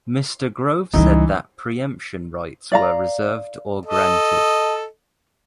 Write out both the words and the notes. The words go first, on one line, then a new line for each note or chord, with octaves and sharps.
Mr. Grove said that preemption rights were reserved or granted.
C#2 E3 G3 D#4
D5 F5 A#5
A4 D#5